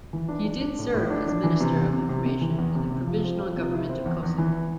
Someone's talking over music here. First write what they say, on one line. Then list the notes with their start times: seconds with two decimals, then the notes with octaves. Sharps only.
He did serve as minister of information in the provisional government of Kosovo.
0.13 E3
0.29 D4
0.45 D4
0.62 D4
0.79 A2
0.94 A2
1.10 D4
1.28 D4
1.44 E3
1.61 C3
1.76 E2
1.93 C3
2.09 C3
2.26 C3
2.41 E3
2.58 E2
2.75 C3
2.91 C3
3.07 F3
3.24 C4
3.41 F3
3.57 C3
3.73 E4
3.89 C4
4.05 E2
4.23 E2
4.38 E3